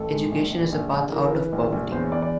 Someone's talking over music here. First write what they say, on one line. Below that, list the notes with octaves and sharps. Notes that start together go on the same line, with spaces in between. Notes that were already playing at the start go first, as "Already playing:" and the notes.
Education is a path out of poverty.
Already playing: A1 A4
G#3
A#1
A#1
A#1
A#1
E3 A#4
A#4
E3 B4
A#1
A#1
E2 C5
C#5
E2 D5
D5